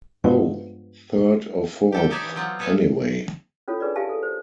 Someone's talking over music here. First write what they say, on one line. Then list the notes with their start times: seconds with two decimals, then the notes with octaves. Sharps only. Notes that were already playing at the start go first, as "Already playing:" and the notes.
Oh, third or fourth, anyway.
0.24 G2 F3 G#3 B3
1.92 G4 A4 G5
2.10 D#4 G4 A4 C#5 D5 E5
2.23 E3
2.36 F#3 B3 C4 F4
2.59 G#4 A4 B4 C#5 E5 F5
3.68 C#4 E4 F4 A4 C#5
3.80 D4 G#4 B4 C#5 D5
3.96 G4 E5 F5 G#5 A5
4.09 A4
4.23 C5